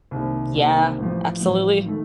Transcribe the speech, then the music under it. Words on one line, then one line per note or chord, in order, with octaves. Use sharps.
Yeah, absolutely.
C2 C3 D#3 A#3
C2 C3 D#3 A#3
A1 A2 F3
A1 A2 F3
D#3 A3